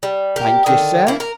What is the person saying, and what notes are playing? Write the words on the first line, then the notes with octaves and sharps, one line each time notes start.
"Thank you, sir."
G3
G4 A#4
D3 D#3
A#3 E4
A#4